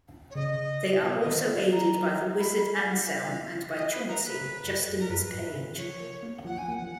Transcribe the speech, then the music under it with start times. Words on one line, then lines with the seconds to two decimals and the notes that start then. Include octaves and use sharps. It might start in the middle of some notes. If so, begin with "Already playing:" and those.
They are also aided by the wizard Anselm and by Chauncey, Justin's page.
0.30 C#5
0.35 C#3 D#5
1.03 B2 C#5
1.20 D#5
1.26 D#3
1.37 C#5
1.48 F3
1.54 F5
1.71 F#3 A#5
2.39 B5
2.56 B5
2.73 G#5
2.81 F5
2.90 F#5
3.06 F3 F5
3.28 C#3
3.74 D#5
3.91 B4
4.08 A#4
4.25 B4
4.41 C#3
4.64 F#2
4.87 F#2
4.99 A#4
5.10 F#2 B4
5.32 G#2
5.54 C#3
5.77 F3 C#5
6.00 A#3
6.23 A#3
6.45 F3 F#5
6.58 G#5
6.68 A#3
6.71 F#5
6.82 F3